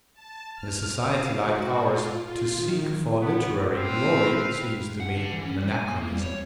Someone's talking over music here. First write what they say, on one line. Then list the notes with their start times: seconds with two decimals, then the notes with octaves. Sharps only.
In a society like ours, to seek for literary glory seems to me an anachronism.
0.13 A5
0.55 F6
0.94 F5
1.37 F#4
1.77 F4
2.23 F4
2.55 D#3
3.22 B3
3.72 C4 B4 F5
5.00 F#5
5.17 D3
5.32 E3
5.45 C#4
5.58 G3
5.72 G#5
5.89 A#3
6.10 G3
6.22 C#5